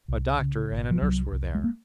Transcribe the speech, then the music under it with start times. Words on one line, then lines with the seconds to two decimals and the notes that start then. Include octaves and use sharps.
A doctor and a nurse were there.
0.08 C2
0.39 C#3
0.71 G#1
0.91 F3
1.01 C2 F#3
1.32 C2
1.55 G#3
1.64 A#3